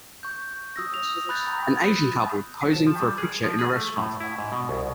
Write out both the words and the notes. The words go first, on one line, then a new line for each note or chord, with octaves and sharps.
An Asian couple posing for a picture in a restaurant.
C#6 G6
D#6 E6 A#6
D#6 F7
B5 F#6 G6 A6
B5
A5
F3
G3
G#4
F3
G#4
A3
A2
E4
G#2
B2
C2